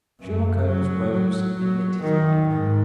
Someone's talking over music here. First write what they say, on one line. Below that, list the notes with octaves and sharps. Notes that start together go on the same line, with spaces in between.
Sherlock Holmes rose and lit his pipe.
F#2
F#3
F#3
F#3
D#3
G#2